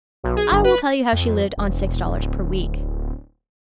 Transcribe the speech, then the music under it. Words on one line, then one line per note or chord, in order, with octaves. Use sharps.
I will tell you how she lived on six dollars per week.
B1
G#4
G1
B4
F2
E1
D1